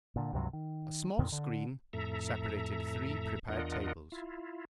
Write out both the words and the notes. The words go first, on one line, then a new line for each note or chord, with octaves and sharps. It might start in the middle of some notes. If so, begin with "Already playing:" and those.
A small screen separated three prepared tables.
A#2 D3
C#2 G2 C3 F#3
D#3
F2 A#2 D3 D#3
D3
F2 A2 A4 E5 A#5
E2 D4 F4 A#4 D#5 F#5
E4 F4